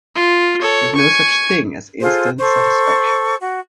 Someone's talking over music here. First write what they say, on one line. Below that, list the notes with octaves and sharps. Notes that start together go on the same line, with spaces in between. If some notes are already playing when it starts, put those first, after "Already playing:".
There is no such thing as instant satisfaction.
F4
A4 C#5
G#5 C#6
F4 G#4 A4 C5
A4 C5 C#6
F#4